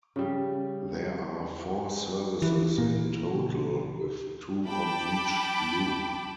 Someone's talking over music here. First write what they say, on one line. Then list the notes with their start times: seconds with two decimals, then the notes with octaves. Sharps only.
There are four services in total, with two on each loop.
0.16 C#3 G3
2.42 E3
2.78 A#2 A#3
3.34 C#3
4.66 G5 A5 B5 D6